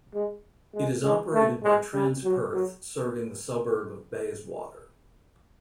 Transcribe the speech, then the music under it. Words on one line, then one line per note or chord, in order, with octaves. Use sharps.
It is operated by Transperth serving the suburb of Bayswater.
G#3
G#3
G#3
A3
G#3
G3
F#3
F#3